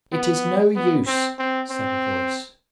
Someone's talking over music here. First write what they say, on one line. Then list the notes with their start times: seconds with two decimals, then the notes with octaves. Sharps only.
"It is no use," said a voice.
0.13 B3
0.76 B3
1.07 C4
1.39 C4
1.70 C4